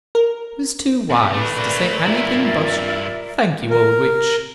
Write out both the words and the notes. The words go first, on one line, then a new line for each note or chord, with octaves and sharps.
He was too wise to say anything but, "Thank you, old witch."
A#4
E2 C3
A3 D4 B4 C#6
A#4 D5
G2 E4 F4 E5
A#4